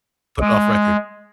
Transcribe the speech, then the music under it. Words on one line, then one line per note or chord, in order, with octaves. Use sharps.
Put it off record."
G#3